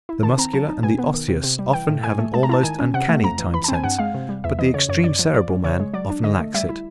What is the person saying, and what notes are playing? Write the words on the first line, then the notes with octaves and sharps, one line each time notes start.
The Muscular and the Osseous often have an almost uncanny time-sense, but the extreme Cerebral man often lacks it.
E4
D#3 A5
C4 A#5
F#3 A5
D#4
B2 G#5
B3
D#3
C3
C3
G3
E3 G5
A2
A2 G#5
A3
G#3 A5
A#5
E4 A5
D#3 G#5
C#4
C3 F#5
A3
F2 A#5
E3
E3 B5
A5
C4
G#5
G2 F#5
G#3 F5
C3
G3
E2 E5
E3 D#5
C#3 C#5
F#2 C#5
F#2 D5
F3
F3 D5
C#4
C#3 C#5
G#3
F#3 D5
D4
D3 D#5
A3
G3 E5
E4